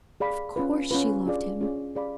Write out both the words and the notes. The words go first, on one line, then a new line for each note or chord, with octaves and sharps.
Of course she loved him!
G#4 D5 F5 B5
C#4 F4 B4
C#4 F4 B4
D4 F4 G#4 D5
C#4 F4 G#4 D5
G#4 D5 F5 B5